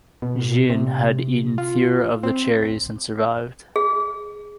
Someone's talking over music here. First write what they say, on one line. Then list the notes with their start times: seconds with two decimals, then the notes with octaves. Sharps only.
Jeanne had eaten fewer of the cherries and survived.
0.22 B2
0.70 C3
1.58 F4
2.23 C4
3.76 G#4